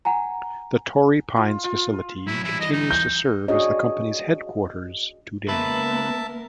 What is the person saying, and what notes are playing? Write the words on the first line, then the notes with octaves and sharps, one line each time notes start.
The Torrey Pines facility continues to serve as the company's headquarters today.
F#5 G#5 A#5
F4
F4
A2 F#3 E4
E3 G3 E4
D#5
D#4
G6
D4 F#4 G#4 C#5 D#5
C#2 A#3 B3 A#4 B4 E5 A5